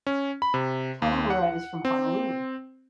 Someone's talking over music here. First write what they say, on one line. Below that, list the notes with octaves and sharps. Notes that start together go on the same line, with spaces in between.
Kanemura is from Honolulu.
C#4
B5
C3
D#2
F#5
C4